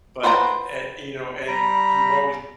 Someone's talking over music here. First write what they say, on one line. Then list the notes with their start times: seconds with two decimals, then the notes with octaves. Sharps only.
but at you know, and you always,
0.23 B4 C5 F#5 A5 A#5
1.48 G3 A#5 B5